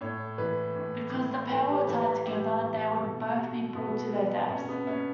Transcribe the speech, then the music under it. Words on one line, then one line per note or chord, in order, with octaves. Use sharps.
Because the pair were tied together, they would both be pulled to their deaths.
A2 C#5
E3 B4
A2
E3
A2 B4
G4
E3 B4
B4
A2 G4
E3
B2 A4
F#4
B2 B3
B2 C#4
B3
C#4